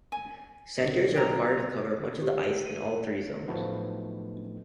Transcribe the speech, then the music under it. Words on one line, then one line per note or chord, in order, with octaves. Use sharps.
Centres are required to cover much of the ice in all three zones.
G#5
B1
G4 B4 A#5
G4
D#7
A2 F3 F#3 A3 B3 D#4